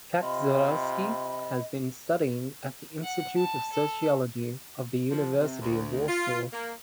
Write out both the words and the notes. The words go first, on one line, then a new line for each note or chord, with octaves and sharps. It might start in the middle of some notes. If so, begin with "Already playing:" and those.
Kaczorowski has been studying at the Institute of Sociology of the University of Warsaw.
C3 F4 D#5 B5
F#5
A5
A4
F3
C3
D2
F4
A#3